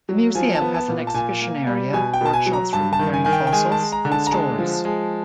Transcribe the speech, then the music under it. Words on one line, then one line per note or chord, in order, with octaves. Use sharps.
The museum has an exhibition area, workshops for preparing fossils, and stores.
F#3
F3 G#5
A5
B3
A5
A#2
A5
A#2 G#5
A#3
G3
B2 G#5
G5
B2 A5
G#5
F#3
A#5
G2 A5
A5
D#3
G#5
D#3 G#5
G5
G5
G#3 G#5
A5
G#3
A#5
D3
A5
A#5
G#3 A5
F3
G#3